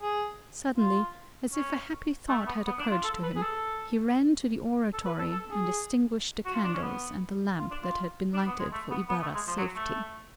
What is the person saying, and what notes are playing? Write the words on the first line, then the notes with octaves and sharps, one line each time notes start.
Suddenly, as if a happy thought had occurred to him, he ran to the oratory and extinguished the candles and the lamp that had been lighted for Ibarra's safety.
G#4
F4
C#4
A3
B3
B3
D4
F4
A4
B4
G#4
A4
A4
B4
A4
A4
G#4
F#4
F4
D4
C#4
B3
F4
D4
F4
D4
B3
G#3
A3
B3
B3
A3
G#3
F3
F#3
A3